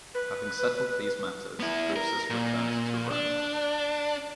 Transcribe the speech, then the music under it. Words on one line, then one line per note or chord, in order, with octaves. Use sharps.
Having settled these matters, Drusus returned to Rome.
B4
B3 E4
A#4
A#2
D4